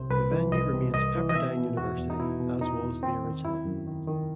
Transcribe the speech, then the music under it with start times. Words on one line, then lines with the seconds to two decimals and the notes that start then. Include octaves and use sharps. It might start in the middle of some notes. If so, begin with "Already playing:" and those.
The venue remains Pepperdine University, as was the original.
Already playing: C2 C3 C5
0.11 C2 B4
0.31 E3
0.52 C2 D#5
0.73 C3
0.94 C2 D#5
1.15 E3
1.29 D#5
1.35 B2 E5
1.57 B2
1.77 E2 F#4
1.98 E2
2.10 D#4
2.20 B2 E4
2.40 B2
2.61 E2 D#4
2.82 E2
3.03 D#3 C4
3.24 D#3
3.45 F#2 E4
3.65 F#2
3.87 D#3
4.08 D#3